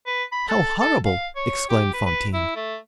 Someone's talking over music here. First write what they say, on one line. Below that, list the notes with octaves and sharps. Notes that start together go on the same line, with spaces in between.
"How horrible!" exclaimed Fantine.
B4
B5
A4
A4
F5
C#5
G4
B4
B4
E4
A3